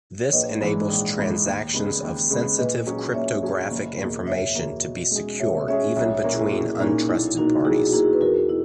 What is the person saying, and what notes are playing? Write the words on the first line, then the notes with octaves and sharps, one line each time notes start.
This enables transactions of sensitive cryptographic information to be secure even between untrusted parties.
C#5
A#1 B4 D#5
G#2 E3 G#3
A#1
G#2 E3 G#3
D#2
C#3 G#3 B3
D#2
C#3 G#3 B3
A#2 B4 D#5
F#3 C#4 G#4
A#2 C#5 E5
F#3 C#4 G#4
F#1
E2 B2 A#3
F#1 C#5 E5
E2 B2 A#3
B2
G#3 C#4 G#4
B2 C#5 E5
G#3 C#4 G#4 C#5 E5
B1 C#5 E5
C#5 E5
A#2 A#3 C#4
E4 G#4
B1 E4
A#2 A#3 C#4 D#4
B1 E4
B2 A#3 D#4 F#4
B1 E4 G#4
F#4
B2 A#3 E4 G#4
B4
E2 F#4 A#4
B2 E4